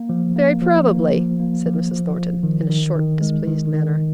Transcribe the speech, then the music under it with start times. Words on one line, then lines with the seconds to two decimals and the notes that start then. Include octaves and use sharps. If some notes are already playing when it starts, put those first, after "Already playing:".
'Very probably,' said Mrs. Thornton, in a short displeased manner.
Already playing: A#3
0.09 F3
0.36 A#3
0.62 F3
0.87 A#3
1.14 F3
1.40 A#3
1.66 F3
1.91 F3
2.18 F3
2.43 D#3
2.70 D#3
2.95 D#3
3.21 G#3
3.47 D#3
3.74 D#3